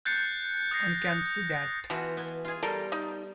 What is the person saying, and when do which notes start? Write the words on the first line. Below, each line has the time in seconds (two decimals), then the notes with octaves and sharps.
One can see that.
0.05 F#6 G6 A6 C7 C#7
0.71 D#6 G6 A#6 C7
1.90 B2 E3 F4 F#4
2.17 B3 G#5
2.45 F4 G#4
2.63 G3 A4 A#4
2.92 D#4